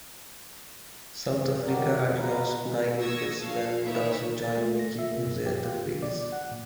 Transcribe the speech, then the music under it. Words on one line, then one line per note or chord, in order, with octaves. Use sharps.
South Africa had lost nine wickets when Dawson joined Nicky Boje at the crease.
G2
D#3 F#3 G3 F#4 G4 A#4
F2 A#2 F3 F#3 G#3
F4 B4 A#5
G#3
C#6 D#6 E6 G#6 A#6
A4 F5
D#4 E4 A#4 B4 C#5 E5
A6
A3
A#6
E5
C3
G2
G4
F4
D3
D5
F#5
A#2